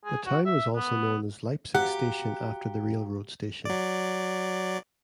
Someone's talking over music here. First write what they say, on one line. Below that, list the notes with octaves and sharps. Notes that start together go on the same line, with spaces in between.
The town was also known as Leipsic Station after the railroad station.
G#4
F#4
E5
B3
F#4 G4 F5 F#5 A#5
F#3 D5